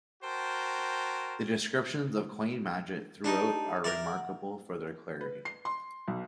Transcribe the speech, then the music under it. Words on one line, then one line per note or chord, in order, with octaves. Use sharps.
The descriptions of coin magic throughout are remarkable for their clarity.
F#4 A#4 C5 G5 A5
D4 D#4 G4 A5
A#4 D5 E5
F#5
B4
C7
C6
B1